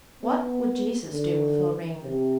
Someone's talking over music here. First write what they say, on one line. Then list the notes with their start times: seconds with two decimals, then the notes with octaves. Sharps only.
"What would Jesus do with Loreen?"
0.22 B3
1.12 D3
2.03 C3